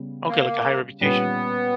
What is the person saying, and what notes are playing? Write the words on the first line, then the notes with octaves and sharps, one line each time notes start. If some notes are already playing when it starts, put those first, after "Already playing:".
Okay, like, a high reputation?
Already playing: C#3 G3 B3
A#3
A#2 G3 B3 C#4